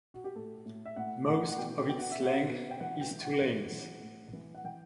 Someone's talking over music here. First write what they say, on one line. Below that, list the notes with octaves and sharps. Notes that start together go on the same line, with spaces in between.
Most of its length is two lanes.
F#4
G4
A2 A4
A2
E5
A2 F#5
A2 F#5
F#5
B2 G5
B2 G5
F#5
E5
B2 F#5
B2
G5
E3 F#5
G5
E3
F#5
E3
E3
A2
E3
F#5
E3 G5